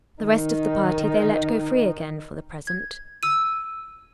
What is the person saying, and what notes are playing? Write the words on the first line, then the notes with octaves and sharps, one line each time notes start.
The rest of the party they let go free again for the present.
D#3 D#4
G#6
E6 D#7